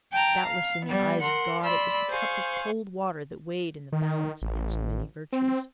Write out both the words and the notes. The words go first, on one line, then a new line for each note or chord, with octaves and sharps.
Doubtless in the eyes of God it was the cup of cold water that weighed in the balance against many virtues.
G5 A5 A#5
F5
G3 B3
A#4 F#5 C6
D5 B5 C6 E6
G#4 C5 F5 C#6
D#3
A1
C4